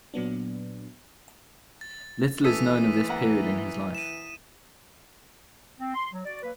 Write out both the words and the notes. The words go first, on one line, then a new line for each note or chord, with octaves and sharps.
Little is known of this period in his life.
A#2 F#3 B3 D4
A6
E3 A4 D#6 B6 D#7
A#3 F#5
D#7 E7
C4
C6
F#3
F#4 D5
F#3 A#3 B4